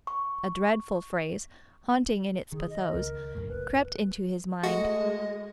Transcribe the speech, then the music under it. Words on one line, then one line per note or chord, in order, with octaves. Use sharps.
A dreadful phrase, haunting in its pathos, crept into his mind.
C#6
D#3 G#4
D#5
C#2 A#4
C#2 F#2 A2
F#1 B4
G#3 A3 F#4 D#5